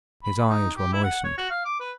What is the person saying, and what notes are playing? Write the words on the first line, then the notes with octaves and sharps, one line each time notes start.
His eyes were moistened.
B5
B5
D#4
G4
E4
F#5
C#5
F#4
F5
D6
B4